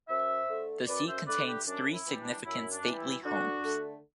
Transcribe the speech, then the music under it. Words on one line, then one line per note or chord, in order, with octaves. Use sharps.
The seat contains three significant stately homes.
F#2 C5 E5
D3 A3
F#2 B4 D5
C5 E5
D3 A3 B4 D5
G4 B4
F#2 D4
E4
E3 G3
D4
F#2 E4
D4
E3 G3
E4
D2 D4 F#4
D3 A3